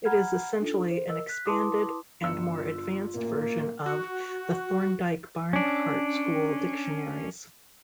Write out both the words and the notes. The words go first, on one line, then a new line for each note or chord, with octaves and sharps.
It is essentially an expanded and more advanced version of the Thorndike-Barnhart school dictionaries.
F#5 A#5 B5 F6 G#6
D4 D#4 F4 A4
C5
A#4 D#5 E6
F#6 B6
E4 B4 A5 C6 D6 D#6
G1 F4 E6 C#7
A1 A#2 A#3
F#4
C#4 D4